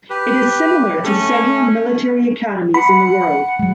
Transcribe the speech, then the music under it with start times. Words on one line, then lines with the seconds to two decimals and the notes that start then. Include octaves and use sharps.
It is similar to several military academies in the world.
0.10 G4 B4
1.04 A3 C#4
2.74 F#5 B5
3.59 F#3 G#3